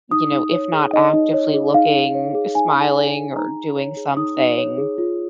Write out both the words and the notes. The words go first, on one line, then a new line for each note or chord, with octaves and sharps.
you know, if not actively looking, smiling, or doing something,
D#4 D#6
D#4
C#5
G#4
D#4 D#5
D#4
C#5
G#4
D#4 F5
D#4
C#5
G#4
D#4 G#5
D#4
C#5
G#4
D#4 A#5
D#4
C#5
G#4
D#4 D#6
D#4
C#5
G#4
F4